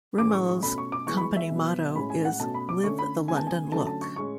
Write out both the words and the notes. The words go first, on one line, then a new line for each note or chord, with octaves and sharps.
Rimmel's company motto is "Live the London Look".
A2 E3 G#3 C#4 D6
C#6
C#6
B2 A3 C#4 B5
C#6
D6
E3 G#3 B3 C#6
B5
C#6
E5
B2 F#3 B3
A2 G#3 C#4 B5
G#5
F#5
B2 A3 C#4 A5
B5
D6
D3 A3 C#4 C#6
B5
C#3 G#3 B3 G#5
A5
G#5
D3 F#3 A3 C#4 A5
A5
C#6
A2 G#3 C#4 C#6